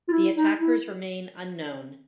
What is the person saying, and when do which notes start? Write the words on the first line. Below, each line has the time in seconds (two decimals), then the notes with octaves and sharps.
The attackers remain unknown.
0.08 F4
0.12 E4
0.35 D#4
0.58 E4